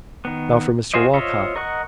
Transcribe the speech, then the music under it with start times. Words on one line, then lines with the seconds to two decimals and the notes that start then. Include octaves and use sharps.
Now for Mr Walcot!
0.25 D#3 B3
0.94 F4 F#4 G#4 C5 D#5
1.13 F4 C5 C#5 D#5 E5
1.56 A#4 D#5 F#5 C#6